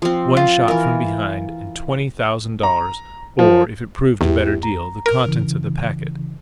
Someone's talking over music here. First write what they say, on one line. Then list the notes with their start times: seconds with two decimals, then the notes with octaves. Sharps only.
One shot from behind,--and twenty thousand dollars,--or, if it proved a better deal, the contents of the packet.
0.02 F3 C4
0.37 F4
0.68 E3 A#4
2.63 A#5
3.39 F3
4.21 E2 E4 G4
4.63 A#5
5.06 A#4
5.27 C#3 E3